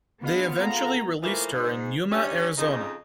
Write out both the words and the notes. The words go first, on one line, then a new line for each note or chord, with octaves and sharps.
They eventually released her in Yuma, Arizona.
B2 G#3 B3 D4 F4 F5
G#4 A4 F#5 A#5
A2 E3 F3 A#3
G#2
G2 C#4
F2 C#3 D#4